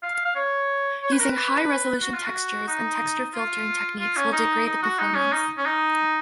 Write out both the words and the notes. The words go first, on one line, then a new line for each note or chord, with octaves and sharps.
Using high resolution textures and texture filtering techniques will degrade the performance.
F5
F5
F5
C#5
C#5
B4
A#4
B4
F#4
F4
F#4
D#4
F4
F4
C#4
D#4
D#4
F#4
D#4
C#4
D#4
C#4
D#4